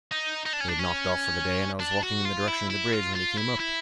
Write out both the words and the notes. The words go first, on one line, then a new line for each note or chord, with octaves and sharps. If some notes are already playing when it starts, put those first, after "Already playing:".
We had knocked off for the day, and I was walking in the direction of the bridge when he came up.
D#4
D#4
D4
C#4
D4
C#4
D4
F#4
F4
E4
E4
F4
F4
E4
E4